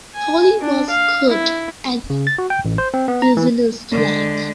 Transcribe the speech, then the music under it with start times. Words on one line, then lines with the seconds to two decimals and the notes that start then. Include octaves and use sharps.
Polly was curt and businesslike.
0.15 G#5
0.61 D4
0.89 F5
1.30 E4
2.10 C#3
2.27 A6
2.38 F#4
2.50 G5
2.65 A1
2.78 C5
2.94 C4
3.08 B3
3.22 A#5
3.37 E3
3.92 D3 G#3